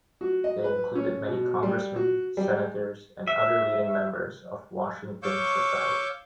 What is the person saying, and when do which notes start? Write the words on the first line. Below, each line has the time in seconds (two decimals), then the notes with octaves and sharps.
They included many congressmen, senators, and other leading members of Washington society.
0.21 F#4
0.44 D#5
0.64 B4
0.95 C#4
1.28 B2
1.63 G3
1.96 F#4
2.37 G3
3.28 E5
5.23 C#5 F5 C#6 D6 E6 G6